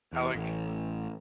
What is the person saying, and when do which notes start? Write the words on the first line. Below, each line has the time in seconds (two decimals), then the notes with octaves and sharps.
I like
0.13 E2
0.35 A1